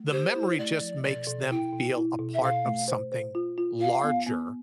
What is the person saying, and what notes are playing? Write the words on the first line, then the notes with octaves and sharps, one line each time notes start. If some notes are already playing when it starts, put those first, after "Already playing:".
the memory just makes them feel a part of something larger
Already playing: A3
G4 C5
E4
A3 D5
F3
B2 D5
B2
E4 G5
B2
E4
B2
E5
B2 F5
A3
C5
C5
F4
F4
F4 F5
B3
B3